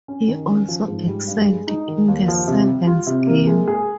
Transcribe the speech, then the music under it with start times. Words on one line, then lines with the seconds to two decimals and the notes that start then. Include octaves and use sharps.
He also excelled in the Sevens game.
0.08 C#4
0.28 D#3
0.49 C#4
0.68 F3
0.88 G#2
1.08 G3
1.27 G2
1.48 G#3
1.67 D#4
1.88 D#3
2.08 D#2
2.28 F3
2.47 C3
2.67 G3
2.87 F4
3.07 C3
3.27 A#3
3.47 G#3
3.68 G#4